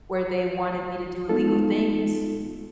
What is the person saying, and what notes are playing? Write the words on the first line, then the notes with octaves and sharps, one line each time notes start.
where they wanted me to do illegal things.
G#3 B3 D#4 F4 A4